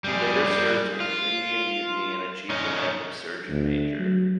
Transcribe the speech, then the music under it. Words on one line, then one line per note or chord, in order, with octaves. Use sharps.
He later served in the Indian Mutiny and achieved the rank of surgeon major.
G3 G#4
F4
C#4 D#4
D2
F#3